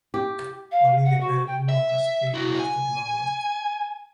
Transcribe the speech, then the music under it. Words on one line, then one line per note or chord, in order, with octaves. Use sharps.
Only the Bellevue and Cascade lasted longer.
G4
F5
F#5
F#4
G5
E5
E4 F#4
G#5